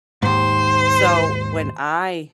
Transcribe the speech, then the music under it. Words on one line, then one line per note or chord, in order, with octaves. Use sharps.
So, when I
D#2 G#2 C5